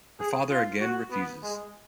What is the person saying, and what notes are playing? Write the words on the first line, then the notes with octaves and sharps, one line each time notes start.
Her father again refuses.
G#4
F4
F#4
B3
G#3